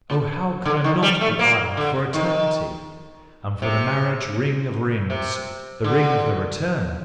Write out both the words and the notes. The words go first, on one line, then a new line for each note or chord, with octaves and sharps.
Oh, how could I not be ardent for Eternity, and for the marriage-ring of rings--the ring of the return?
A#2
D3
D#3
G3
A3
A#3
D3
D#3
C3
C3
D3